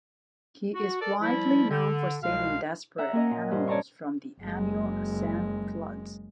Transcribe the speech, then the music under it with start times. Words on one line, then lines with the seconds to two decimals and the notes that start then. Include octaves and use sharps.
He is widely known for saving desperate animals from the annual Assam floods.
0.74 F#4
1.00 A4 A#4 D5
1.21 F3 G3 E4
1.69 D3
2.22 C2 B2 G#3 F5
2.98 E5 F#5 A#5
3.13 A#3 C#4 A#4 D#5
3.31 A#2
3.51 G2 C5
3.67 C#5 D5 A5 A#5 C6 C#6
4.41 F#1 G#3